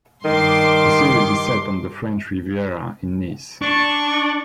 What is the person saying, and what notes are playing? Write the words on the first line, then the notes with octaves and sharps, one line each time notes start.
The series is set on the French Riviera in Nice.
G2 D#3 C6 D6
D4 C#6